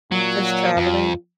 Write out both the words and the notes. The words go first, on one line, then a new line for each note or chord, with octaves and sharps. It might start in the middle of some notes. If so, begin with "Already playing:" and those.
Just traveling?
A#2 F#3
F2 F4